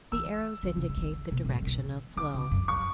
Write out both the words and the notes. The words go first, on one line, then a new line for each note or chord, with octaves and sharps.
The arrows indicate the direction of flow.
E3 E6
D3
C#3
D3
E3
D3
B2
B2
A2
C#3
B2
D3 D6
C#3
F#2
F#2 C#6